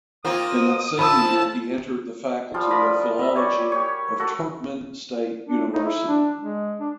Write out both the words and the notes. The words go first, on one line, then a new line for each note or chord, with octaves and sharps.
In that same year he entered the Faculty of Philology of Turkmen State University.
A#3 C4 F4 D#6
F3 A5 B5 E6
F3 G3 F4
D4 A#4 B5 D#6
D#5 E5
G4 C#5 D5 G#5
G4 C#5
F#4 A4
D4
D#4
E4
D4
G#3
D4